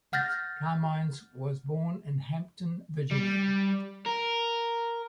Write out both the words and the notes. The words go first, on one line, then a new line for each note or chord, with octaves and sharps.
Carmines was born in Hampton, Virginia.
F#5 F6 G6 A6 A#6
G3
A#4